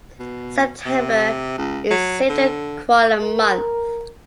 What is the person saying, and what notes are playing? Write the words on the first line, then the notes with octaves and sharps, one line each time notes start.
September is Save the Koala Month.
B2
C3
C#2
F#3
D3
A#4